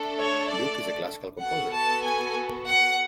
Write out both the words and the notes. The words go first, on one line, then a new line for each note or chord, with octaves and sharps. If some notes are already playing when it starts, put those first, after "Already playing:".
Luke is a classical composer.
Already playing: A3 D4 A4
C#5
D5
B3 F#4 A4 F#5
A5
G#5
F#5